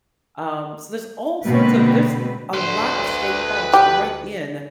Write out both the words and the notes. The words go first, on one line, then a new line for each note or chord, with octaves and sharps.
Um, so, there's all sorts of there's a lot of state parks right in
B2 D3 G#3 A#3 C4 B4
D2 B4 C6
G4